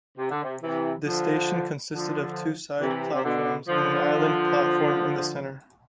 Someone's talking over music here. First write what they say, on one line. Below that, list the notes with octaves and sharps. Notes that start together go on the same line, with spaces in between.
This station consisted of two side platforms and an island platform in the centre.
C3
D3
C3
C3 E3
D3 F3
D3 F3
C3 E3
C3
B2 D3
D3 F3